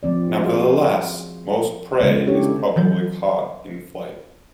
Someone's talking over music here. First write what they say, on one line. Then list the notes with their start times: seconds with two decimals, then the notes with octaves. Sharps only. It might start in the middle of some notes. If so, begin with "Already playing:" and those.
Nevertheless, most prey is probably caught in flight.
0.03 F3 C4 D5
0.43 F#4 G#4 C5 F5
2.01 C#3 G#3 B3
2.26 C#4 D4 E4 G4 A4 C#5
2.76 E3 F#3 G6